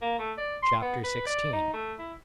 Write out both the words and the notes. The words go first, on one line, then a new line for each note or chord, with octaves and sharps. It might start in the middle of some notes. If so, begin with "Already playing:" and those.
Chapter XVI.
A#3
A3
D5
C6
B3
B4
D5
D#4
A3
E4